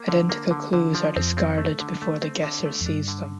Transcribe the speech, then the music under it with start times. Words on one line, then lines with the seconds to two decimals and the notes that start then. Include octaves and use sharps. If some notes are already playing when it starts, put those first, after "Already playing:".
Identical clues are discarded before the guesser sees them.
Already playing: A#3
0.08 D3
0.29 A#3
0.51 D3
0.73 D3
0.95 F3
1.16 F2 C4
1.37 C4
1.58 A3
1.80 D3
2.02 A3
2.22 C4
2.43 D3
2.65 A3
2.81 F2
2.86 G2 D4
3.08 D3